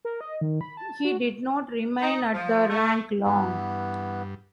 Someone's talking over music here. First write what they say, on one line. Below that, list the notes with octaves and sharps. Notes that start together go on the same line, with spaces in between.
He did not remain at the rank long.
A#4
D#5
D#3
B5
A5
F#4
D#4
F3
A3
G2 E3 B3